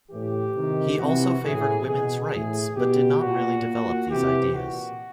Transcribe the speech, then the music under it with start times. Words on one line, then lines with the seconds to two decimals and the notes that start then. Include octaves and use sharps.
He also favored women's rights but did not really develop these ideas.
0.10 A2 E3 G4
0.55 C3 D#3
0.98 C3 E3 F#4
1.43 A2 E3 G#4
1.87 B2 G#4
2.31 A2 E3 G#4
2.76 B2 G4
3.21 A#2 F#4
3.65 A#2
4.09 C3 E3 G4
4.54 A#2 F#4